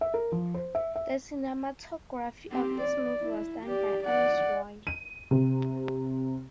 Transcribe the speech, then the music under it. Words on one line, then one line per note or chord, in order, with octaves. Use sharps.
The cinematography of this movie was done by Anish Roy.
E5
A#4
F3
C5
E5
E5
C4 G4
D5
E4
G4 D5
D5 F#5
D#7
C3